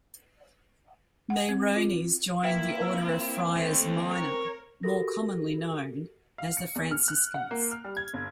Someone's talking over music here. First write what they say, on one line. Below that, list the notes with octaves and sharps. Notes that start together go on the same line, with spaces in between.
Meyronnes joined the Order of Friars Minor, more commonly known as the Franciscans.
F#5
C4
F4
E3 A#3 E4 F4 B4 E5 G5
C4 B4 A#5 E6
D#2 A3
A#4 C5 C#5
F#4 G4 A4 A#4 A#6
F5
C#7
E2
F6
F#6
F#5
A#3
F6
G3
G#6
G1